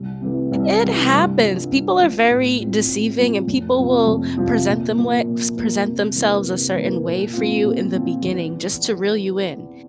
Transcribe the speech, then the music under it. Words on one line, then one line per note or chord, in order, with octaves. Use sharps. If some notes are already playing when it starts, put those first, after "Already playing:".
It happens, people are very deceiving and people will present them way s present themselves a certain way for you in the beginning just to reel you in,
Already playing: C2
C3 E3 A3
C2
C3 E3 A3
G2
D3 F3
G2
D3 F3
A2
F3 C4
A2
F3 C4
F2
C3 F3 C4 F4
F2
C3 F3 C4 F4
A#2
F3 A#3
A#2
F3 A#3
C3
E3 A#3
C3
E3 A#3
A#2
F3 C4 F4
A#2
F3 C4 F4
E2